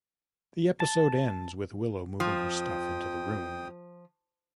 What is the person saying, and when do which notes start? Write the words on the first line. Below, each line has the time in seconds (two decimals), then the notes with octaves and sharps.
The episode ends with Willow moving her stuff into the room.
0.80 A5
2.20 F2 F3 G5 D#6